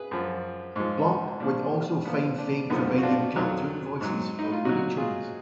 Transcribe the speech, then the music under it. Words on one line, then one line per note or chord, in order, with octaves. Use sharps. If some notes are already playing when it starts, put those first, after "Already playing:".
Blanc would also find fame providing cartoon voices for "Looney Tunes".
Already playing: G#4 B4
F#2 F3
G#2 F3
A#2 F3 D4
A#2 F3 B3
D4
F#2 D3 F3 B3 D#4
F#4
D4 F4
F2 D#3 F#3
G#2 F#3
D#4
F4
A#2 F#3 D#4 F#4
F4 G#4